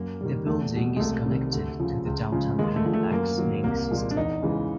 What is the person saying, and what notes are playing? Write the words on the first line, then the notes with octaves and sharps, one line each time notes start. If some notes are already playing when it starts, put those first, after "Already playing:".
The building is connected to the Downtown Halifax Link system.
Already playing: F#2 A#3
D#3 G3
E2 A3
B2 G3
G#3
C2 A3
C3 D#3 G3
D2
C#3 F3
C#2
C#3 F3 G#3
D#2 G#3
A3
D3 F3 G#3
A3
F#2 A#3
D#3 F#3
C2 A#3
A#2 F3 G#3
D4
E2 D#4
C#3 E3 G#3